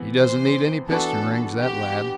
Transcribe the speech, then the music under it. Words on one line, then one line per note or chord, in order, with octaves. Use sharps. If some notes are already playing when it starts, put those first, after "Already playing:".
He doesn't need any piston rings, that lad.
Already playing: C3 E3 B3
C5
E3 B3 D4 F#4 A4 B4
G4